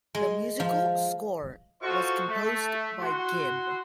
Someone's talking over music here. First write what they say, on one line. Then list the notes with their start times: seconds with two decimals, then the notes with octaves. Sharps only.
The musical score was composed by Gibb.
0.15 G#3
0.60 F3
1.81 F4 F#4 A4 C5 D#5 C#6
2.28 A3
2.99 E4 F#4 F#5 C6